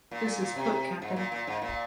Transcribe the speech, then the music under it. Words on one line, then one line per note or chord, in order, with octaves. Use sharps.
This put Cpt.
A#2
A#2
A#2
C3
G#2
A#2
A#2
G#2
A#2